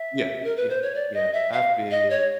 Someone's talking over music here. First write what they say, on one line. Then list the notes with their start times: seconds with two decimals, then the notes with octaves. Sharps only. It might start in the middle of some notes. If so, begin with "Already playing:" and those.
Yeah, yeah, yeah, I feel you.
Already playing: E5
0.44 A#4
0.57 B4
0.69 C5
0.82 C#5
0.95 D5
1.14 D#5
1.33 E5
1.52 F5
1.91 D#5
2.10 C#5